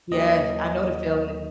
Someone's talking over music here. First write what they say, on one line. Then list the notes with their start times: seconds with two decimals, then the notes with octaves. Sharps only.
Yes. I know the feeling.
0.11 D#2 D#3 F#3 D#5